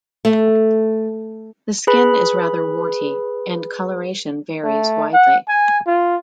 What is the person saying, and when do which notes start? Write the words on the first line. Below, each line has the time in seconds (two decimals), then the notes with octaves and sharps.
The skin is rather warty and colouration varies widely.
0.25 A3
1.87 G#4 B4 B5
4.64 A3
5.13 F#5
5.49 G#5
5.87 F4